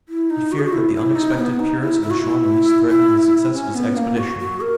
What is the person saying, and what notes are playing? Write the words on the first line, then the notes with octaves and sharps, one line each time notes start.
He feared that the unexpected appearance of the Shawnees threatened the success of his expedition.
E4
D#4
F#4
G#4
F#4
E4
E4
D#4
B3
D#4
E4
E4
F#4
E4
E4
C#4
B3
A#3
F#4
F#4
A#4